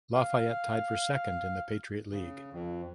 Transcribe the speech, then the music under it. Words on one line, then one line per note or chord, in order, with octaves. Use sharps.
Lafayette tied for second in the Patriot League.
F5
C#3
F2